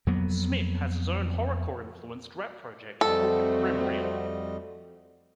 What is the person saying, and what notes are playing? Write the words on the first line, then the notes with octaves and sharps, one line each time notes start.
Smith has his own horrorcore-influenced rap project called Grimm Real.
F2 F#3 A#3 B3
F2 G3 A3 C4 F#4 A4 D#5